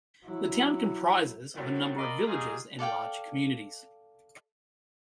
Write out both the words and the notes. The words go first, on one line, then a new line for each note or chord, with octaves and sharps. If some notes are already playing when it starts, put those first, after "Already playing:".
The town comprises a number of villages and larger communities.
F#3 E4
F#2 A2 F#3 G3 C4 F#4
A#2 A#4 D5 D#5 F5 B5
G3 D#4 F4 G#4
A4 D5 F5 G5